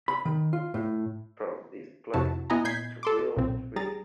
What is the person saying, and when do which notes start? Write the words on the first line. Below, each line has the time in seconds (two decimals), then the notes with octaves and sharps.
From this place to Will-Tree.
0.08 B5
0.25 D#3
0.53 F4
0.74 A2
2.14 F2 C3 E4 F#4 A5
2.50 B3 E4 D#5 G#5 A#5
2.65 A#2 G6 G#6 B6 C7
3.03 A4 C6 D6
3.36 B1 A#2 C4
3.76 G3 G#4 A#5 A6